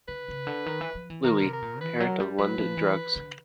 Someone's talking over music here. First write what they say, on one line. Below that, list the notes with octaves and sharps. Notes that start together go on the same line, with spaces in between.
Louie, parent of London Drugs.
D3 B4
C#3
D3
D#3
E3
F3
E3
D#3 A#4
C3
A#4
A#2
E3 B4
F#3 A#4
G3
F#3 B4
F3
E3
D3